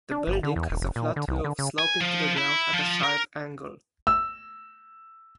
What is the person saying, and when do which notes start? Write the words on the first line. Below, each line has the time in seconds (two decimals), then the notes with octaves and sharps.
The building has a flat roof sloping to the ground at a sharp angle.
0.11 D4
0.27 G1
0.43 D3
0.56 E2
0.70 D#1
0.82 F#1
0.96 A#2
1.16 D3
1.28 C2
1.44 D3
1.59 C#3
1.79 G#5
2.00 F3
2.37 E4
2.73 F3
3.03 A#4
4.07 E6